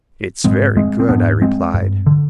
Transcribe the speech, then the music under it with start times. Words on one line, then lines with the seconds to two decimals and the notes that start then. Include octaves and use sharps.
"It's very good," I replied.
0.44 G#2 G#3 C4
0.77 G#3 C4
1.00 C4
1.09 G#2 B3 D4
1.42 G#3 C4
1.74 G2
2.06 D3